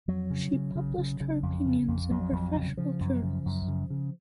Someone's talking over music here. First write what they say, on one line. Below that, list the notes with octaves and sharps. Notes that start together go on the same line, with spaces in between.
She published her opinions in professional journals.
F2 F#3
C#3
C#3
C#3
C#3
C#3
F2
C#3
F2
F2 F#3
F2
C#3
C#3 F3
F#2
C#3
F#2
C#3
C#3